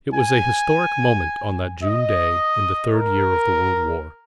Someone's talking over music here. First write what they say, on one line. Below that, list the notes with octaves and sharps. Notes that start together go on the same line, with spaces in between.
It was a historic moment, on that June day, in the third year of the World War.
G#5
D#5
A#4